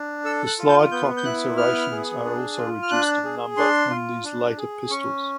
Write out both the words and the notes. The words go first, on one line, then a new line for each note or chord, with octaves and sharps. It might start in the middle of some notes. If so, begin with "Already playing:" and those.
The slide cocking serrations are also reduced in number on these later pistols.
Already playing: D4
A4 E6
F#6
F4
G6
B3 G6
G6
E4 F#6
B3 F6
G#4
D4
F4
F6
D4 F#6
G#4
D4 C6
F4
D4
G#4
C#4 C#6